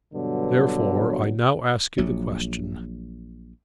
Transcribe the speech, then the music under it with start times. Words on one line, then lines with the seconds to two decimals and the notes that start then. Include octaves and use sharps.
Therefore I now ask you the question.
0.14 G2 B2 D3 F#3
1.98 A#1 F#3